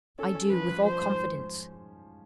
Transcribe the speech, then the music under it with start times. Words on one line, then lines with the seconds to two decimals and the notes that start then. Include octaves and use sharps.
"I do, with all confidence."
0.19 C#4 A4
0.35 C#4
0.52 F3 B4
0.69 F3
0.85 F3 C5
1.01 G#2